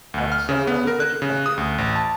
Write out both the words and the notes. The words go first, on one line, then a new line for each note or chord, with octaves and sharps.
Ask someone at the veggie counter.
D2
F6
C#3
B3
A#4
F#6
C#3
D#6
D2
A1
A5